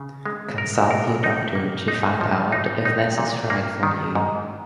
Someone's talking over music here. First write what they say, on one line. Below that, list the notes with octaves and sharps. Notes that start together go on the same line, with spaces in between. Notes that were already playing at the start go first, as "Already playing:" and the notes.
Consult your doctor to find out if this is right for you.
Already playing: C#3
G#3
A#4
A#4
D#4
A#3
D#4
F3
D#4
D#4
A#2
A#3
D#3
G#2